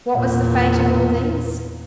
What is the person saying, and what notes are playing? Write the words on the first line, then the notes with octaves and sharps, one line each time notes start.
What was the fate of all these?
E2 A#2